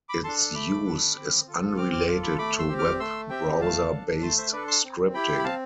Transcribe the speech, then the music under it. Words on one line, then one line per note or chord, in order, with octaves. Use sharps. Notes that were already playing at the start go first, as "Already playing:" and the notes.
Its use is unrelated to web browser-based scripting.
B5 D6
D4 A4 A5 C6
A3 B5 D6
D4 A4
C4
F4 A4
C4 D6 F6
D6 F6
F4 A4 D6 F6
B5 D6
A3 B5 D6
C6 E6
C4 G4
D6 F6
A3 C6 E6
C4 G4 E5 G5
A3 F5 A5
D4 A4
A3 A5 C6
C5 E5
D4 A4 B4 D5
A5 C6
C4
E4 G4 G5 B5
B5
C4 F5 A5